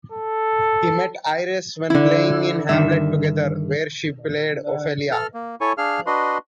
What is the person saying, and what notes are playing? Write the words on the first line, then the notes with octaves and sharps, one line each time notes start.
He met Ayres when playing in "Hamlet" together, where she played Ophelia.
A4
D3 E4
G2 D3 D#3 E5
A4 F6
A#3
E4 A4 C#5 G#5 C#6
D4 G#4 F5 F6
D4 F#4 B4 D#5 C6